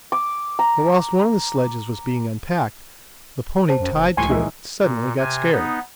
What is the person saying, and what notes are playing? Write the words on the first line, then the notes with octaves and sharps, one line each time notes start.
But whilst one of the sledges was being unpacked the pony tied to it suddenly got scared.
D6
A#5
C5 A5
F#2
F1
C#2 A2 F3 G4 G#5 C6 C#6
A#1 E3 G#3 D#4 E5
A#2
C3 G#5
B3 D#4